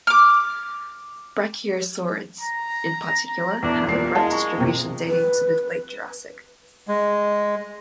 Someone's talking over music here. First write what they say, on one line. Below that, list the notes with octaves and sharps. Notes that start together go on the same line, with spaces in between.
Brachiosaurids in particular have a broad distribution dating to the Late Jurassic.
D6 F6
A#5
E2 B2 A3 D4
E1 G2 A#2 A#3 C7
G#3 E4 F5 A5
A#5 C#6
F2 C3 A#3
B4
G#3